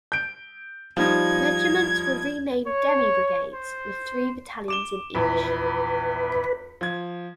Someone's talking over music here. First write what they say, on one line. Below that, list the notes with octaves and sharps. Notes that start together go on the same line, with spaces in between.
Regiments were renamed demi-brigades, with three battalions in each.
G6 D7
F3 G3 D#4 G#6
C#5
C5
D6 E7 G7
A#1 E2 B4
F3 G#6